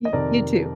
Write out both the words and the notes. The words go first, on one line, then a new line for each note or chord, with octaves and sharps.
Y you too.
D#5
F2 C3 D#3 A#4 D5